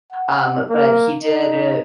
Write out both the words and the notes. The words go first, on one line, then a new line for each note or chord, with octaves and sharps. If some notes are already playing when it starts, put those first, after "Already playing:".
um, but he did, uh,
F#5
A#3
D#4